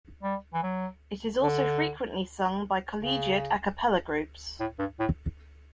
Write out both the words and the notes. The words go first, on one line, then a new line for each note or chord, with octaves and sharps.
It is also frequently sung by collegiate a cappella groups.
G3
E3
F#3
D3
C#3
A2
G2
A2